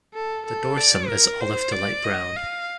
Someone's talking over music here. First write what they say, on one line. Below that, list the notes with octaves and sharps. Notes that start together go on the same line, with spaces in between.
The dorsum is olive to light brown.
A4
A4
D5
A#4
C5
D5
D#5
F5